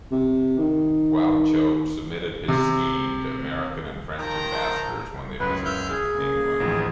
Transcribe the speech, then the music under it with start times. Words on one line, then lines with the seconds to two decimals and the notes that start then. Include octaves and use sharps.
Wauchope submitted his scheme to American and French ambassadors when they visited England.
0.11 C3
0.58 D#3
2.48 C3
4.19 D#3 F3 G5 A5 A#5
5.40 C#2 F#2 B4
5.65 E5 F6 G6
5.90 G#4
6.15 C#3 A#3
6.60 A1 D#2 F3